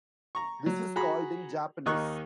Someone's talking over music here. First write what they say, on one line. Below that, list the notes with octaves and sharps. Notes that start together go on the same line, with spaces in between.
This is called in Japanese.
A#5 C#6
F#3
F#4 G#4 A#5 B5
D#2 D#3 D#5 C#6 F#6